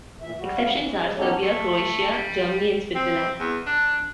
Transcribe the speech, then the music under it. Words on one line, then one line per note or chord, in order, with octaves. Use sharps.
Exceptions are Serbia, Croatia, Germany and Switzerland.
D2 A#2 E3 E5
G3 F#4
A3 B3 F5
E3
G3 G#3
B3 C#4 D#4 G4 A4 C#5
A3
G3
C4
E2
D4